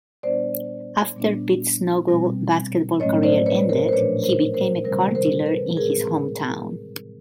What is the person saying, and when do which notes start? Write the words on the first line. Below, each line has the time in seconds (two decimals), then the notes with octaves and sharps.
After Pittsnogle's basketball career ended, he became a car dealer in his hometown.
0.23 A#2 G3 B3 D4 C5 D5
1.17 A#2 G3 B3 D4
2.08 B2 G3 C4
3.00 A2 F#3 A3 C#4 C#5 D#5
3.23 C5 D5
3.46 B4 C#5
3.69 A#4 C5
3.88 C5
3.92 A#2 F3 A3 D4 B4 C#5
4.23 A#4 C5
4.54 A#4 C5
4.84 C3 D#3 G3 C4 A#4 C5
5.15 A#4 C5
5.46 A4 B4
5.77 A2 E3 G#3 C4 G#4 A#4